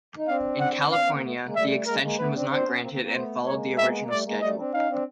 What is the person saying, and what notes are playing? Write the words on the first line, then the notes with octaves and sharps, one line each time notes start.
In California, the extension was not granted and followed the original schedule.
D#4
C4 D4 F5
F#5
C#4
C4 D4 F5
B3 C#4
A#3 C4
A3 B3
G#3 A#3
G3 A3 E5
G#3 A#3 A#4
G#3 A#3
A3 B3 B4
C4 D4
C4 D4 C5
B3 C#4
A#3 C4
A#3 C4
A#3 C4
A3 B3 C5
A3
G#3 A#3 C#5
C4 E5
B3
A#3
G3 A3 D5
G#3 A#3
G3 A3 D#5
C4 D4
C#4 D#4 F5
C4 D4